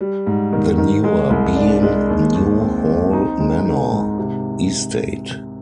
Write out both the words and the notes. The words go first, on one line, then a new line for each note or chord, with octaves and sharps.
The newer being New Hall Manor Estate.
G3
G#2
D#3
D#3
G#3
C2
D4
G#3
D#2
D#2
C4
C4
D#4
G#3
D#4
G#2
C3